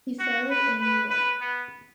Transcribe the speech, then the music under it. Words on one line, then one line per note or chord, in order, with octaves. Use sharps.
He settled in New York.
F#4
B4
B4
B4
B3